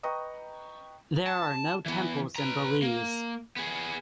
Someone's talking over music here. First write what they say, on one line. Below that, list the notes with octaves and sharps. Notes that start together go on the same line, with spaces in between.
There are no temples in Belize.
B4 D#5 G5 A#5 C#6 D#6
A5
E3 B3
B4 A#5
A#3
B3 G#4